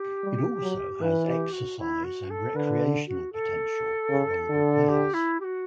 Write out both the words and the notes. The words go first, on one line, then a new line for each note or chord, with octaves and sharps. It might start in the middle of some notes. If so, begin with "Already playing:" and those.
It also has exercise and recreational potential for older players.
Already playing: G4
G3
F#3
E3 B4
G4
F#4
E4
F#4
A4
D3 B4
F#4
A4
C#3
D3
G4
E4
G4
F#4